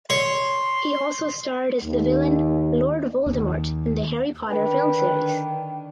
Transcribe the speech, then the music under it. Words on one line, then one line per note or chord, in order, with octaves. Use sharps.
He also starred as the villain Lord Voldemort in the "Harry Potter film series".
C#5 C6
D#2
D#2
D3 D#3 D4 B4 G5